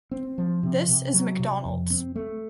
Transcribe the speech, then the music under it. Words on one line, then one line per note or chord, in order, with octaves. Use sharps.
This is Mcdonald's.
C4
F3
C3
C3
F#3
C3
F2
C4
A3